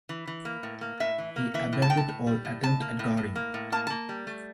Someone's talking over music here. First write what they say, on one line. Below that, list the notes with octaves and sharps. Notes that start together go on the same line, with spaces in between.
He abandoned all attempt at guarding.
E3
E3
A#3
A2
A#3
A2 E5
E3
A#3
E3 E5
A2
A5
A2 G5
A5
A2
G3
A2
A2 A5
A#3
A2
A2
A#3
A2
A#3 A5
A#3 A5
G3
A3